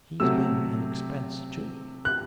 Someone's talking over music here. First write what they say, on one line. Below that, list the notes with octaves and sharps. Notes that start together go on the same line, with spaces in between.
He's been an expense too.'
C3 F#3 A3 E6
F#6